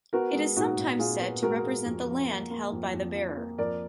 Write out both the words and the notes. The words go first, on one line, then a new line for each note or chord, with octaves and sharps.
It is sometimes said to represent the land held by the bearer.
B3 F#4 A#4
G#3
A#2 D#4 F#4
A#2
A#2 F4 G#4
B3
G#3 F#4 A#4
G#3
F2
F3
A#3
A#3
F2
F2
F3
A#3
F2 A#4 D5